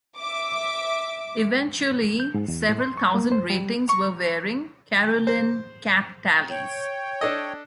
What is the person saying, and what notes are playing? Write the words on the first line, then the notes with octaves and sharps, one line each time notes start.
Eventually several thousand ratings were wearing "Caroline" cap tallies.
E5 D6
G6
G#2
E2
A2
C6
C#6
A#3
C5
G3
A#5 C#6
C5
C#5 G5
D4 A4 D#5